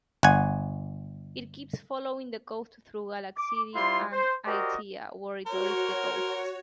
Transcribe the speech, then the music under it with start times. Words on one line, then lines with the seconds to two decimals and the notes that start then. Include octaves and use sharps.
It keeps following the coast through Galaxidi and Itea, where it leaves the coast.
0.23 G1 F#5 G#5
3.38 D6
3.75 G3 E4 F4 C5 C6
4.12 C5
4.46 F#4 G4 A#4 C5 D5 D#5
5.46 F#4 A#4 C5 C#5